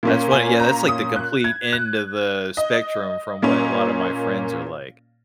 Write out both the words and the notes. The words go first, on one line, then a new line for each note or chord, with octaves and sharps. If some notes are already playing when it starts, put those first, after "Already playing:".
That's funny, yeah, that's, like, the complete end of the spectrum from what a lot of my friends are like.
A#2 A#3 C#4
G#5
A#5
D#6
F#6
G#6
F#6
D#5
A#2 A#3 C#4